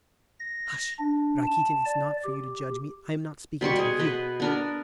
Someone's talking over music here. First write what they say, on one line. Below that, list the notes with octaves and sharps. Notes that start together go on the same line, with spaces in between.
Hush, Rakitin, it's not for you to judge me, I am not speaking to you.
A#6
D4
A5
D5
G4
B2 G3 C6 C#6
G#4
B4 D#5
B3 D4 A#4